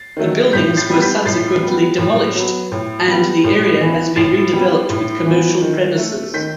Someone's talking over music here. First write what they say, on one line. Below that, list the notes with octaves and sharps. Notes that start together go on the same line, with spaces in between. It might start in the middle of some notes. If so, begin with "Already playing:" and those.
The buildings were subsequently demolished and the area has been redeveloped with commercial premises.
Already playing: A6 C7
D#3 F#3 A3
A2 G6 B6
A6 C7
G3 B3
G6 B6
A2 A6 C7
G3 B3
A2
F#3 B3
A2
G3 B3
A2
E3 B3
A2 A6 C7
G3 B3
A2
E3 B3
D#3
A3
D#3 G6 B6